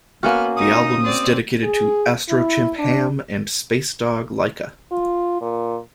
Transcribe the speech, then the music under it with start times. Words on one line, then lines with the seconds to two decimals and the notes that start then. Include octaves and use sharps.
The album is dedicated to "Astrochimp Ham and Spacedog Laika".
0.23 A#3 B3 C#4 F#4 F6
0.56 D#4 D#6
1.04 C4 D5
1.63 G#4
2.29 E4
2.79 D4
4.91 F4
5.41 A#2